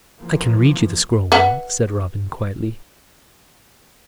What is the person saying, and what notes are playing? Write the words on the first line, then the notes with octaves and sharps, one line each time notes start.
"I can read you the scroll, Will," said Robin, quietly.
E3 F3 A#3
B4 E5 F#5